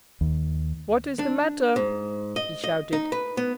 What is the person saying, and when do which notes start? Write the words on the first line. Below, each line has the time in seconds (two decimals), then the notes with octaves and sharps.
"What is the matter?" he shouted.
0.21 D#2
1.19 D4
1.76 G#2
2.36 D#5
2.64 D#5
2.93 D#4
3.12 B4
3.37 B3